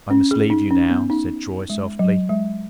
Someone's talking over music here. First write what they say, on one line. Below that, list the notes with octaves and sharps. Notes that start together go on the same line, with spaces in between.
"I must leave you now," said Troy, softly.
C#4
G#4
D#4
C#4
B3
D#4
G#3
F#3
G#3